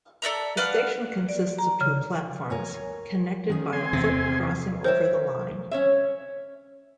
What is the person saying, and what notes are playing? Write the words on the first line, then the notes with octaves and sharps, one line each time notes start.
The station consists of two platforms, connected by a foot crossing over the line.
A4 D5 E5 A#5
B4 D5 F5 F#5
D5
A#5
C#3
A#4 C#5 G#5
D#3 C#4 G#4
C4 G#5 C6
E2 C3 F#5
A#4 C5 C#5 E5
C#4 C#5 E5